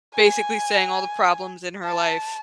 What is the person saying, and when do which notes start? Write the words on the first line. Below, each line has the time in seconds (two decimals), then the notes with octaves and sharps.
basically saying all the problems in her life,
0.15 G#5
1.85 A5